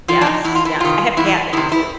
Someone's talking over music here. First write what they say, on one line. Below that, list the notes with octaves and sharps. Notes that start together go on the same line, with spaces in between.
Yes, yes. I have catnip too,
F3 F4
D4
D#4
E2 E4
F4
E4
C3 D#3 F4
E2 E4
C3 D#3 E4
E4